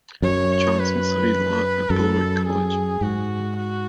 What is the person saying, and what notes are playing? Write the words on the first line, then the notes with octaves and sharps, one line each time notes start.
Johnson studied law at Beloit College.
F#2 C#5
B4
F#2 A4
G#4
G#2 F#4
F#4